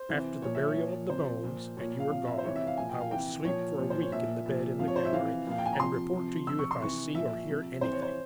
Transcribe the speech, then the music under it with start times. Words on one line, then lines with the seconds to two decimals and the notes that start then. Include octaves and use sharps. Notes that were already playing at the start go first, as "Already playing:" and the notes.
After the burial of the bones, and you are gone, I will sleep for a week in the bed in the gallery, and report to you if I see or hear anything.
Already playing: C5
0.09 C3 E3
0.42 A#2 F3 C#5
0.55 E5
0.68 C#5
0.76 A#2 F3
1.10 C3 F3 C5
1.44 A#2 F3
1.77 A#2 F3 C#5
2.00 F5
2.10 C3 F3 F5
2.27 E5
2.38 C5
2.44 C3 E3 C#5
2.56 E5
2.67 F5
2.77 A#2 F3 G#5
2.89 G5
3.00 F5
3.11 C3 E3 G5
3.45 A#2 F3 C#5
3.79 A#2 F3
3.90 C5
4.02 C#5
4.12 A#2 F3 E5
4.46 A#2 F3
4.79 C3 F3 F5
4.88 C#5
4.96 C5
5.05 E5
5.13 C3 E3 F5
5.47 A#2 F3 F5
5.58 G5
5.66 G#5
5.73 A#5
5.80 C3 F3 C6
6.13 C3 F3
6.47 C3 F3 E6
6.59 C#6
6.71 C6
6.82 C3 E3 C#6
7.15 A#2 F3 E5
7.48 C3 F3
7.81 C3 E3 C5
7.92 C#5
8.03 C5